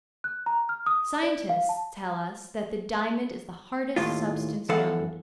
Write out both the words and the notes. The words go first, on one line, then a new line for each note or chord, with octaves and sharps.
Scientists tell us that the diamond is the hardest substance known.
F#6
A#5
F6
D#6
D5
F5
A5
D#2 A2 F4
E2 E3 A4 F5 F#5